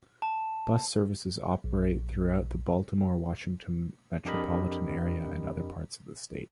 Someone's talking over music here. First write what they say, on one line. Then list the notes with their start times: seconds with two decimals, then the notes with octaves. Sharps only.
Bus services operate throughout the Baltimore-Washington Metropolitan Area and other parts of the state.
0.22 A5
1.64 A#1
4.25 F2 D4 G4 A#4 D#5 B5